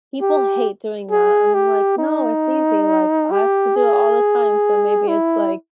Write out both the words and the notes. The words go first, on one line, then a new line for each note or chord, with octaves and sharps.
People hate doing that, and I'm like, "No, it's easy," like, I have to do it all the time, so maybe it's, like,
G4
G#4
G4
D#4
G4
G#4
E4